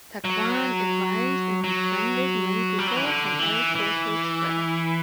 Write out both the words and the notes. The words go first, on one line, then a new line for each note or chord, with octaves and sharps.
Takuan advised and befriended many people, from all social strata.
F#3
F#3
G3
F#3
E3
D3
E3
E3